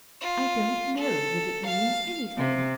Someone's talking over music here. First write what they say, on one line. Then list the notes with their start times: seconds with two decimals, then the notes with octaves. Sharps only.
'I don't know that it means anything.
0.20 F4
0.98 A4
1.65 F5
2.38 C3